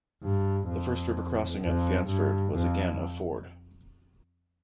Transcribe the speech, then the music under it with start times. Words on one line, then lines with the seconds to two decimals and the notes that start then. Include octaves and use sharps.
The first river crossing at Fyansford was again a ford.
0.23 G2
0.69 F2
1.62 F2
2.08 G2
2.56 F2